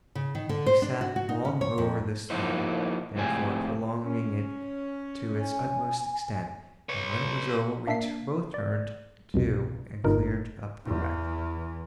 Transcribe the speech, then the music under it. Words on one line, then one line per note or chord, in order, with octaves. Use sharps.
We sat long over this one, therefore, prolonging it to its utmost extent; and when it was over, we both turned to and cleared up the wreck.
C#3
D#3
D3
C5
D4
F#4
F#4
D#4
C#4
C#5
F2
F3 A#3 B3 D#4 E4 C5
F2 A2 C3 G#3 C4 G#5
C#4
G#5
B4 C#5
A#3 D4 E5 B6 C7
D5
C2 F2 B2
G1 G2 A#2 D#4 A#4
E2 E3